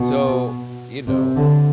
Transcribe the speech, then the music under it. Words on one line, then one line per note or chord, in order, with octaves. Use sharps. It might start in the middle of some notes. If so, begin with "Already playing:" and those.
So, you know
Already playing: B2
C3
D3